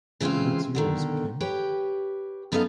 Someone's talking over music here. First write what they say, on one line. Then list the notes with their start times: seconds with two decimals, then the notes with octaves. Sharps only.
What's yours, Kim?
0.21 C#3 E3 G#3 B3 C4 F4
0.75 B2 D3 D#3
1.40 G4 B4 C#5 G5
2.52 F#2 B3 D#4 A4 D#5 F5